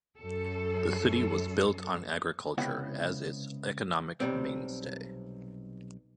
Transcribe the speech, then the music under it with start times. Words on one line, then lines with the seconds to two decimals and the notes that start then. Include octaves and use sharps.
The city was built on agriculture as its economic mainstay.
0.18 F#2 A4
2.58 C#2 C3 B3 E4 F#5 G5
4.20 B1 F#2 C3 G3 C4